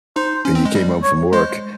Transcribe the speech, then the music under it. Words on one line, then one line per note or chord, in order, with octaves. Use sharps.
and you came home from work,
D#4 C5
C#4
C4
G#3
G3
C#5
G#3 C5